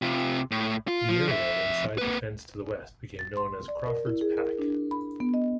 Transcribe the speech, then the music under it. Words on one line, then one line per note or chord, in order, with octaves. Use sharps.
The area inside the fence to the west became known as "Crawford's Paddock".
C3 F4
A2
F4
F3
F2 E5
A#3 B4
A6
C6
D5
A#4
E4
G#4
A#4
D4
B5
B3
D#5